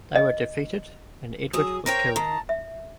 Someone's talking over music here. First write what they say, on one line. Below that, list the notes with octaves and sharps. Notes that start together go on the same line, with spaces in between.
They were defeated and Edward was killed.
D#5
F#3 G#4 D#6
A#4 C5 C#5 G5 A#6
D#3 A5 A#5
E5